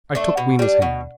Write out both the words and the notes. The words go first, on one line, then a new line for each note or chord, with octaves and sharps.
'I took Weena's hand.
A3 D4 A4
B2
G3 D4
B2